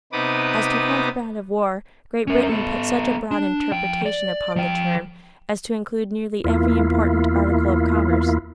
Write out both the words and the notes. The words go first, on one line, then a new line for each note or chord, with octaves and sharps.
As to contraband of war Great Britain put such a broad interpretation upon the term as to include nearly every important article of commerce.
C3 B3 D#4 B4 D6 D#6
C#4 A#4
B3 A4
D4
F3 G5
D5
F3 G5
E2 A#3 E4 F4